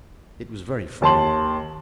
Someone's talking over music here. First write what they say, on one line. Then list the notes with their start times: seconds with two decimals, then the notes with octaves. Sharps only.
It was very fine!
1.02 D#2 A5 C6 F#7